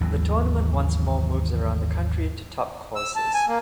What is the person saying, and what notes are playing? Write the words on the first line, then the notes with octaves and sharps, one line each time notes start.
The tournament once more moves around the country to top courses.
G#1 D#2 E3 F#3
E6
A5
G#5
A#3